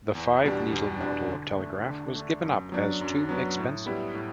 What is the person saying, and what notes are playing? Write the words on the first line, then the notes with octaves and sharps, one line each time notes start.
A five needle model of telegraph was given up as too expensive.
E2
B2 G3 D4
E2
B2 G3 D4
D3
A3 D4
D3
A3 D4
F#2
F#3 B3 D4
F#2
F#3 B3 D4
A2
G3 B3 E4
A2